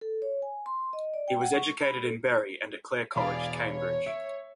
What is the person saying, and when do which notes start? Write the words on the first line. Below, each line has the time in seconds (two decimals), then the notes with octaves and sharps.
He was educated in Bury and at Clare College, Cambridge.
0.01 A4
0.22 C#5
0.42 G#5
0.66 C6
0.93 D#5
1.14 D5
1.28 G5
1.41 F#5
1.54 C#6
1.82 B5
2.03 A4
3.16 E1 G#4 D5 F5 B5
3.66 C#5
4.06 E5